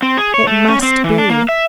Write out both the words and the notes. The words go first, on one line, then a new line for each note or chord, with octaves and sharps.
"It must be."
C4
G#4
C#5
A3
C#4
C4
E3
D4
A#3
E5